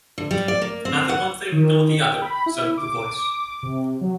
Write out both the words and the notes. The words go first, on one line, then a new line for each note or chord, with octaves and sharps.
"Neither one thing nor the other," said the Voice.
D3
G3
D5
A#3
C4
F#5
D#3
G5
B5
E4
D6
C3
F#3